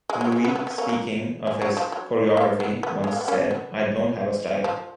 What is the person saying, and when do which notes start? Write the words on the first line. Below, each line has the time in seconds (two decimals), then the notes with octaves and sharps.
Louis speaking of his choreography once said, I don't have a style.
0.10 G#3
0.21 F#3
0.32 G#3
0.44 B3
0.56 B3
0.67 B3
0.78 A#3 C#4
0.89 A#3
1.47 G#3
1.62 F#3
1.77 F3
1.92 F#3
2.37 A#3
2.60 B3
2.83 B3
3.04 G#3
3.13 A#3
3.21 B3
3.28 A#3 C#4
3.51 B3
4.64 F3